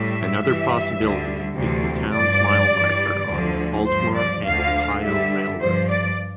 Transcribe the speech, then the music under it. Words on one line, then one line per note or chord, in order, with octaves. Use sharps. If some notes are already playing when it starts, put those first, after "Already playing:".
Another possibility is the town's mile marker on the Baltimore and Ohio Railroad.
Already playing: A2 G3 E5
G2 E3 G3
D2 D3 G3
D2 C3 E3 G3
G2 F3 D5
G2 E3 G3
D2 D3 F3
G2 C5
F3
D5
D2 D3 F3 F5
G2 D3 G3 E5
G2 F3 C5
D5